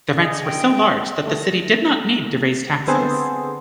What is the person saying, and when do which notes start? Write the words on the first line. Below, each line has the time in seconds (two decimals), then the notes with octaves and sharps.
The rents were so large that the city did not need to raise taxes.
0.16 D4 G#4 D#5
0.44 G5
1.27 A3 A#6
2.88 D3 B3 C4 G#4 A4 C5